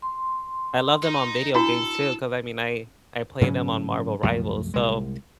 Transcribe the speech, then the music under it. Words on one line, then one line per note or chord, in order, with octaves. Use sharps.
I love them on video games too, 'cause I mean, I I play them on Marvel Rivals, so,
C6
D#4
D4 E4 F#4 A4
G#2 C#3 F#3 C#4
C2 F#2 F3 A3
C2 G#3